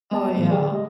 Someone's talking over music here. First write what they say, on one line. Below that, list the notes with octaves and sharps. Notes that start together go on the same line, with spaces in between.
Oh, yeah.
G#3 B3 D#5 A5
A2 E3 F#3 A3 B3
D3 G4 G#4 D5
G#3 D#5